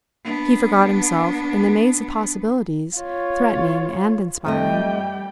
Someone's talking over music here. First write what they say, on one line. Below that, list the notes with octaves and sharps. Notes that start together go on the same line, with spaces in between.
He forgot himself in the maze of possibilities threatening and inspiring.
B3 D4
F4 C#5
F2 G3 A3 D#5 G5